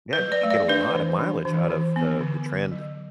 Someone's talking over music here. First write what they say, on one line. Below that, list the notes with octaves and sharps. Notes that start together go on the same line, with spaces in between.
Yeah, you could get a lotta mileage out of the the trend,
B4
F#3
D5
A3
D5
D4 B4
E3
D4
E3
E3
B3
D3
D3
F#3